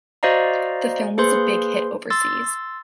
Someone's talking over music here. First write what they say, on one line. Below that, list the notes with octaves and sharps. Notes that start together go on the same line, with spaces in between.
The film was a big hit overseas.
F#4 C5 D5 D#5 F5 A#5
A#3 G#4 B4 C5 C6
C6 E6 A6